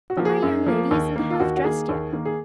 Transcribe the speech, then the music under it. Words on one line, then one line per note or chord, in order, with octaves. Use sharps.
But my young lady isn't half dressed yet.
F#4
F3 A#3
G#4
F#2
F3 A#3
D#2
D#3 A#3
F4
D#2 F#4
F#4
D#3 A#3 G#4
D#2
D#3 A#3
G#4